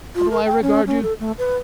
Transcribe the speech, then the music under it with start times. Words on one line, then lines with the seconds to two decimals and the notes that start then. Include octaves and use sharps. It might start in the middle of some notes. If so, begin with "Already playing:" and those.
How do I regard you?
0.15 F4
0.31 A#4
0.46 G5
0.62 C#4
0.87 C#4
1.03 A4
1.20 A3
1.38 B4